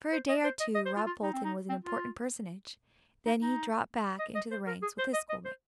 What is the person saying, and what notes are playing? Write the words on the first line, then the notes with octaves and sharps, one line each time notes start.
For a day or two Rob Fulton was an important personage, then he dropped back into the ranks with his schoolmates.
C5
D#5
C5
D#5
D#5
C5
F4
F4
D#4
C4
D#4
C4
F4
D#4
D#4
D#5
D#5
C5
A#4
G#4
C5
D#5
D#5
C5